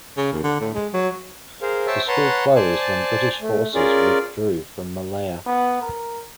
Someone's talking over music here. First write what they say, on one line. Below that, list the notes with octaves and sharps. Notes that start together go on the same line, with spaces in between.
The school closed when British Forces withdrew from Malaya.
C#3
D#2
D3
A2
G#3
F#3
G#4 A#4 C5 F5
C5 C#5 E5 G5 A5 E6
B4 C#5 F#5 A5 A#5 C6
C5 D5 G#5 A5
A3
C#4 F4 G#4 A#4 D5
B3
A#4